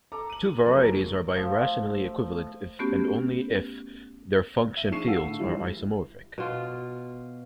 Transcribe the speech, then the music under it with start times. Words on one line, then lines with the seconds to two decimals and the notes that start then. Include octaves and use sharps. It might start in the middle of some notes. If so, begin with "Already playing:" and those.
Two varieties are birationally equivalent if and only if their function fields are isomorphic.
0.12 A4 A#5 D6
0.30 D#7 F#7
0.65 F#2 C#3 F3 F#3 A3 A#3
1.36 F3 A3
2.79 A3 B3 C#4 F#4 G4
4.77 E5 D#7
4.91 F3 D4 G#4 C#6 C7 E7
5.07 A4 F5 F#5 E6
5.23 A2 D3
5.39 E3 G3 G#3 D4 E4 F4
6.38 B2 F4